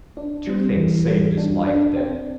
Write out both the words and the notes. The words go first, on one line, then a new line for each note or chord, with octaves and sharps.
Two things saved his life then.
D4
G3
E3
G3
D4
D4
C4